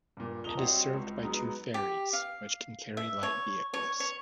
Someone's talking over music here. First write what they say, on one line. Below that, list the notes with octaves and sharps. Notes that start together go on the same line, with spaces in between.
It is served by two ferries, which can carry light vehicles.
G2 A#2
F2 F3 A#3 D#6 F7 G7
G3 C4 F#4 C#5 D#5 E5
C#2
F#3 G#3 B3 D#4
G4
F5
E5
C#5
C#5
C#5